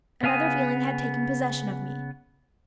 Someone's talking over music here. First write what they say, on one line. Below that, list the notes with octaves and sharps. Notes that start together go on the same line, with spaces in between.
Another feeling had taken possession of me.
C#3 B3 F5 G#5 D#6